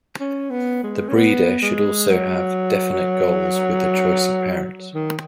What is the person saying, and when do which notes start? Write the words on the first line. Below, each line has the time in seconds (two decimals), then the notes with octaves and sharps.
The breeder should also have definite goals with the choice of parents.
0.20 C#4
0.51 B3
0.84 G#3
1.09 C#4
1.15 B3
1.62 G#3
2.10 F#3
4.95 D#3